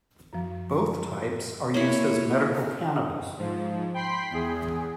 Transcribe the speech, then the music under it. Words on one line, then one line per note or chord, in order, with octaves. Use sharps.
Both types are used as medical cannabis.
F#2 F3
A#3 E4 C#5
G#2 F3
G5 B5 C6 B6 C7
E2 G#4